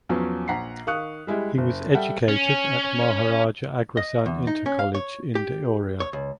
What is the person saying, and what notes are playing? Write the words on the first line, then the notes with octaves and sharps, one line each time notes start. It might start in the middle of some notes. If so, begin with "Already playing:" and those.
He was educated at Maharaja Agrasen Inter College in Deoria.
E2 F3 F#3 C#4
A#1 F#5 A#5 B6 C7
D#3 F5 C#6 D#6 F#6 C#7
G3 G#3 E4 G4
F#1
G3 A4 E5 F#5 G5
C#4
D#5
E2
D#4
C#4
F5
C#5
G4
C#5
C#2